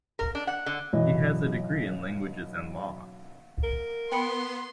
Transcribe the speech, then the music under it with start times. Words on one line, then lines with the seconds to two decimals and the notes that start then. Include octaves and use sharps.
He has a degree in Languages and Law.
0.19 A#4
0.35 D4
0.47 F#5
0.66 D3
0.93 B1 F#2 E3 D#5
3.64 A#4
4.12 B3 G5 B5 C6 C#7